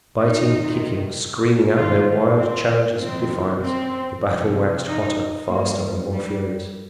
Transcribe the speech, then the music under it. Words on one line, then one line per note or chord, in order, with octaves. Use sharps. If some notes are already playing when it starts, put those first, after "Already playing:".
Biting, kicking, screaming out their wild challenges of defiance the battle waxed hotter, faster and more furious.
D#4
F2 C3 D#3
G2 D#3 F4
C4
F2 D#3 C4
C4
F2 C3 F3
D#4
G2 F3 A#3
G3